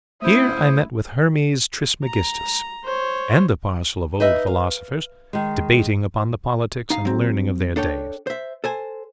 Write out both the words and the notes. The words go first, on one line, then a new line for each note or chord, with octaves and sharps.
Here I met with Hermes Trismegistus, and a parcel of old philosophers debating upon the politics and learning of their days.
A3 C#4 E4 C5 D#6
A#5
C5 C#5
D#4 B4 D#5 E5
F5
D#3 G#3
D#4 F5
F#3 C4
D4 A4 C#5 G5
C5 E5
A4 C5 G#5